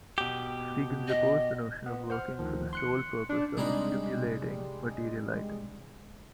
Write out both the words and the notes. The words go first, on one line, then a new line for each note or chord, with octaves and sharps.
Freegans oppose the notion of working for the sole purpose of accumulating material items.
B2 G4
D#5
B3
C5 F#5 F6
D2 D#3 F3
C6 F#6 C#7
D4
C3 G3 G#3 D4 D#4 B5